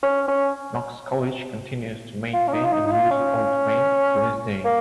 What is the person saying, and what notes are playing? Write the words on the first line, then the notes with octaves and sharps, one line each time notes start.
Knox College continues to maintain and use Old Main to this day.
C#4
C#4
F4
C#4
D#4
F4
D#4
D#4
F4
C#4
A#3